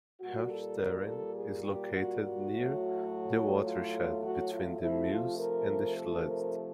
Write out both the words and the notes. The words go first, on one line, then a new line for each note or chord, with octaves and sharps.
Helchteren is located near the watershed between the Meuse and the Scheldt.
A#2 G3 F#4
A4
A#4
A4
G#4
G4
F#4
F#4
A2 F#3 A3
F4
F#4
F4
C3 F3 A3 E4
F4
A#4
A4
A#4